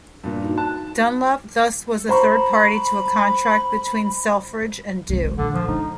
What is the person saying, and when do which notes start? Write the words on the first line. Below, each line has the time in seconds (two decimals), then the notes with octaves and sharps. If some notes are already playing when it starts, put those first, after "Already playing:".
Dunlop thus was a third party to a contract between Selfridge and Dew.
0.24 G2 A#2
0.43 D#4 F#4
0.58 A5 F#6
2.09 C5 A#5 B5 C#6
5.09 C2 G#3
5.24 E3
5.38 A#1 A#2 D3
5.54 F3
5.68 D4 D#4